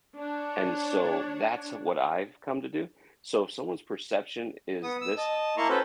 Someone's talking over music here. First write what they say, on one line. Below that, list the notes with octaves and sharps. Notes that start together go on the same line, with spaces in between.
And so that's what I've come to do, so if someone's perception is this,
D4 C#5
B3 D#6
E6
D#5 A5
A#3 E4 A5 A#5 C6 C#6
C#4 F#4 A4 B4 C5